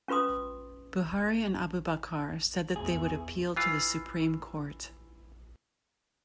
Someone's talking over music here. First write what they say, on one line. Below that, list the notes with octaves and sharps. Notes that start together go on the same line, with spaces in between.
Buhari and Abubakar said that they would appeal to the Supreme Court.
C#4 F4 B4 C6 D#6
E2 G#4
E3 F4